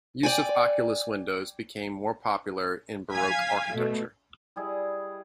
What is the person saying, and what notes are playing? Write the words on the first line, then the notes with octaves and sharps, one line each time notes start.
Use of oculus windows became more popular in Baroque architecture.
D5 G5 G#5
F5 G#5 G#6 B6
B2 A3
G3 E4 G#4 D#5